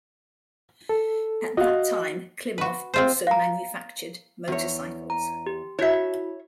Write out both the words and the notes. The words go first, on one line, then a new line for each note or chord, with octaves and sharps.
At that time Klimov also manufactured motorcycles.
A4
F#4 D#5 F5
F#4 B4
C4 F4 C5
F5 A#5
E2 C#5
A#5
G4
E4 F#4 C#5 E5